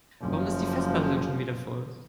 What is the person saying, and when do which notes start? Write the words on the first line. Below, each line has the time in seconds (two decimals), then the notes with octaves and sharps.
Warum ist die Festplatte denn schon wieder voll?
0.22 F#1 F3